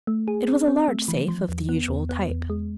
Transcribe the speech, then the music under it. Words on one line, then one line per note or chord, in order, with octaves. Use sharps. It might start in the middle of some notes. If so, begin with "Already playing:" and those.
It was a large safe of the usual type.
A3
G#4
C4
C4
A3
E3
F3
E2
B3
E2
B3
E2
G#3